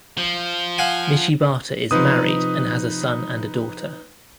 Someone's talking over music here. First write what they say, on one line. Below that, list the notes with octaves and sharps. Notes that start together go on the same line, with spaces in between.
Michibata is married and has a son and a daughter.
F3
F5 F#5 G#5
C3 F3 D#4 B4 D#6